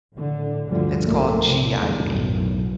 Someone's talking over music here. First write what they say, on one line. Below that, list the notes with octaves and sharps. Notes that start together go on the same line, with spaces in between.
that's called GIV.
A2 D3
D2 G2 D3 F3 G3
B1 A2 A3 A#3
A2 C3
E2 D3 G3
B1 F#2 A2